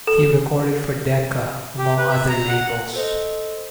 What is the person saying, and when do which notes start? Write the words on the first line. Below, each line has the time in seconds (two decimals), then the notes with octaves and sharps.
He recorded for Decca among other labels.
0.07 A4
1.78 G4
1.98 B4
2.11 E5
2.29 A#5
2.48 F#5
2.94 A4 C5 D#5